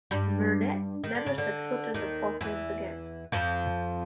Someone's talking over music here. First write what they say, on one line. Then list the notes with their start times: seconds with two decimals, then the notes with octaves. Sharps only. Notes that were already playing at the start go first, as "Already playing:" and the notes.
Vernet never set foot in the Falklands again.
0.11 G2 G3
1.04 D#3
1.15 D3
1.26 C#3
1.38 D3
1.94 D#2 D#3
2.41 E2 E3
3.32 F2 F3